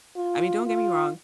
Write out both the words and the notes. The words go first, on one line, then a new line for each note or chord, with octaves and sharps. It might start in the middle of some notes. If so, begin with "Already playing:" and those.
I mean, don't get me wrong;
F4
F4